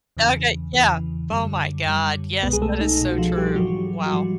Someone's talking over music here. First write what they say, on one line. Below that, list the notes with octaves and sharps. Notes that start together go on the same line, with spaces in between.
Okay. Yeah. Oh my god. Yes, that is so true. Wow.
E2 C#3 E3
E2 C#3 E3
F#2 D3 G3
F#2 D3 G3
C2 B2 G#3 B3 B4
G#4
A3 A4
D#4
C2 B2 G#3
F#4
F3 F4
G3 G4
G#2 E3 F#3 G3 F#4
F#4
G#2 E3 F3 G3 F4